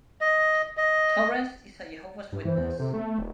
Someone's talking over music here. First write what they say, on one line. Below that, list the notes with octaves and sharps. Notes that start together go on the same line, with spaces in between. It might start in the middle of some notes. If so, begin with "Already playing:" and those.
Torres is a Jehovah's Witness.
D#5
D#5
G2
E3 C5
E2
C3 A4
A3 B3
D#1